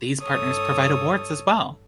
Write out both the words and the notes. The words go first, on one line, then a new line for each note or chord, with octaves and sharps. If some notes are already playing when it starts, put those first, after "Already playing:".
These partners provide awards as well.
G2 A4 C#5 D#6